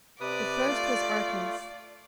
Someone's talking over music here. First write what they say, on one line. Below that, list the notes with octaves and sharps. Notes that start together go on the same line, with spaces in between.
The first was Arcas.
C3 B4 D5 D#6
A3 F4